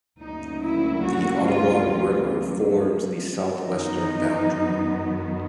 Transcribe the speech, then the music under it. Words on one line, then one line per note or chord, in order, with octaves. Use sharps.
The Ottawa River forms the southwestern boundary.
D2 C#3 F#3 A#3 C#4 D#4
E4
F#4
F4
F#2 D#3 F#3 B3 D#4